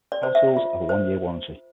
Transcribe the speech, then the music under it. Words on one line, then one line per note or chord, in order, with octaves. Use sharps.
Power tools have a one-year warranty.
D5
C5
E5
F4
C5